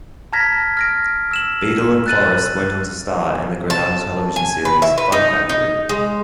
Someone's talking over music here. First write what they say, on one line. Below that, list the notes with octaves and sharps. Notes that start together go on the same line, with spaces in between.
Beadle and Forrest went on to star in the Granada Television series "Fun Factory".
A5 A#5 F6 G#6 A#6 B6
F6 A#6 D7
E6 E7 F#7
F#6 A6 D#7 F#7
A5
G#5
B4
E5
B4
D#4
D#4
G#3